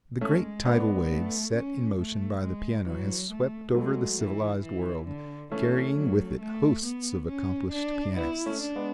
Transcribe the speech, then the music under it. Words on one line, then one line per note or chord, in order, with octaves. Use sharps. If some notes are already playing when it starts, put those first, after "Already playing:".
The great tidal wave set in motion by the piano has swept over the civilized world, carrying with it hosts of accomplished pianists.
G#3 A3 C#4
B3 D4
A3
C#4
A3
G#3
E3 F#3
A3
F#3 G#3 A3
E3
E3
D3
E3 A3 C#4
F#3
A3
B3
C#4
D4
B3 D4 E4
A3 C#4
D4
G#3 B3